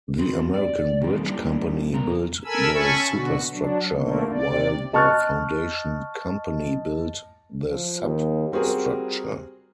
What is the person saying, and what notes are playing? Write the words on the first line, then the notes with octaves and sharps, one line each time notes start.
The American Bridge Company built the superstructure; while the Foundation Company built the substructure.
C4 F#4
D5
B2 D3 D#3 G3 A#3 C4
G3 A#3 C#4 D4 E4 G4
B2 B3 A#4
A4 A#4 G#5 B5 E6
C#4 E5 G#5 A5 B5 C#6
B2 D3 F#4
F#3 D4
D3 A3 A#3
C3 D5
D#5 A5 C#6 F6 F#6 A6
F3
D#2
G3 C4 F#4 G#4 A#4